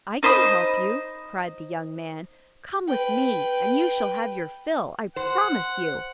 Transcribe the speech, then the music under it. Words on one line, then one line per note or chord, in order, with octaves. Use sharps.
"I can help you," cried the young man; "come with me, and you shall have your fill, I promise you."
D#4 C5 B5 D#6
B4 G5
C5 F#5